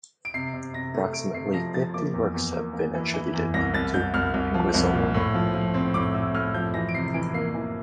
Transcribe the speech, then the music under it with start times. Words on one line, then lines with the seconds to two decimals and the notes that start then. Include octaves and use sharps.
Approximately fifty works have been attributed to Anguissola.
0.25 D7
0.34 C3 C7
0.54 C3
0.74 C3 A#6
0.94 A3
1.14 A3 D7
1.34 C3 C7
1.54 F3 A#6
1.74 F3 A6
1.94 A#3 D6
2.14 E2
2.34 E2
2.54 A#3
2.73 A#3
2.94 E3
3.14 E3
3.34 E2
3.54 C2 A#6
3.74 C2 A6
3.94 C2 G6
4.14 C2 F6
4.34 C2
4.54 F3
4.74 C2
4.93 A#2
5.14 A2
5.34 F3
5.54 F3
5.74 C4
5.94 A2 D6
6.14 A2 E6
6.34 A2 F6
6.54 F3 G6
6.74 E3 A#6
6.89 D7
6.94 C3 C7
7.14 E3 D7
7.34 A#3 C7
7.54 E3